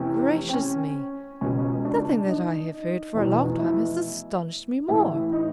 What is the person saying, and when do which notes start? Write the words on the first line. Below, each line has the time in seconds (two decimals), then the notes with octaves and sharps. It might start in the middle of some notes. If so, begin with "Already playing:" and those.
Gracious me;--nothing that I have heard for a long time has astonished me more.
Already playing: F1 E2 C3 C#4
0.49 C4
0.53 C#4
1.41 C#2 B2 C#4
1.85 D4
2.29 D#4
3.14 F1 E2 B2
3.59 E4
4.88 A1 A2 E3 E4
5.32 D#4